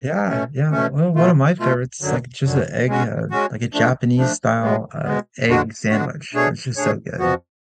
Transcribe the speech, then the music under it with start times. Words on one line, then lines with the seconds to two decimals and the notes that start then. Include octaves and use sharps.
Yeah. Yeah. Well, one of my favorites, like, just a egg, uh like a Japanese-style, uh, egg sandwich. It's just so good.
0.29 B2 A3 C#4
0.71 B2 A3 C#4
1.15 B2 A3 F4
1.58 B2 A3 F4
2.01 F#2 D3 F#3
2.44 F#2 D3 F#3
2.88 G#3 C#4 F#4
3.31 G#3 C#4 F#4
3.73 F3 A3 D4
4.17 F3 A3 D4
4.60 B2 G#3 B3
5.03 B2 G#3 B3
5.47 F2 D3 G#3 D4 F#4
5.89 F2 D3 G#3 D4 F#4
6.34 B2 A3 D4 G#4 C#5
6.76 B2 A3 D4 G#4 C#5
7.19 F2 F3 B3 F#4